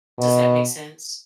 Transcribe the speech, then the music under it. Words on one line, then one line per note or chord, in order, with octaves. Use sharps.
Does that make sense?
B2